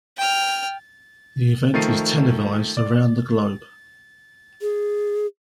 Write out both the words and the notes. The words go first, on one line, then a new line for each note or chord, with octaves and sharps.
The event is televised around the globe.
G5 F6
D#3 F3 A3 A6 C7 D#7
D5
G#4